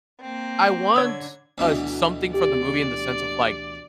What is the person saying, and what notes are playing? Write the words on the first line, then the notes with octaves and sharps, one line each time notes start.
I want, uh, s something from the movie in the sense of, like,
A#3 C4
D3 C#5 E6 G#6
D2 B2 E3
G4 D5